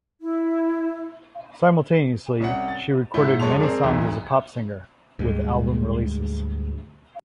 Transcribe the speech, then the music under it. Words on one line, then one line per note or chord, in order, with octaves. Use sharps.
Simultaneously, she recorded many songs as a pop singer, with album releases.
E4
C2 C#4 F#5
A6
G#2 E4 C#5 G7
F#2 G#3 C#5 A5 C6 F7
C4 G#4 A#4 D5
F1 B1 E2
D2 G#2 G3 G#3